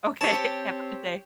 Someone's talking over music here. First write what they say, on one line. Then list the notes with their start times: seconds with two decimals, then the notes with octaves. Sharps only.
Okay. Have a good day.
0.21 C4 G4 C#5 A5